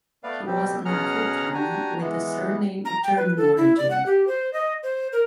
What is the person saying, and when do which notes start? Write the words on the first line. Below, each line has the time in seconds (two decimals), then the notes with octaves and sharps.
He was an Afrikaner with a surname of German origin.
0.24 A3 B3 B4 D5 F5
0.47 B2 G3 C4 G4
0.85 B2 C#4 G#4 F#5 A#5 F6
1.54 D4 F#4 G4 G#5 A#5
2.01 E3 G#3 B3
2.85 A#5
3.03 G5
3.17 B4
3.37 A4
3.57 E4
3.77 D5
3.90 F#5
4.06 G4
4.27 C5
4.53 D#5
4.83 C5
5.13 A#4